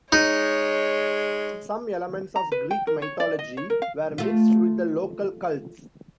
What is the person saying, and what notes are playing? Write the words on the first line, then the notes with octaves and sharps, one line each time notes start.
Some elements of Greek mythology were mixed with the local cults.
G#3 D#4 C#5
A#5
B4
G5
A#4
C#5
D5
D#5
C#5
A#4
F5
A3 F4